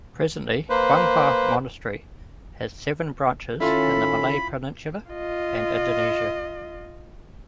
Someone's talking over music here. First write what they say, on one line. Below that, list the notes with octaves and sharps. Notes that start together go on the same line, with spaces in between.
Presently, Guanghua Monastery has seven branches in the Malay Peninsula and Indonesia.
A#3 B4 C5
D#3 C#4 E4 F4 A4 B5 C6
F4 D#5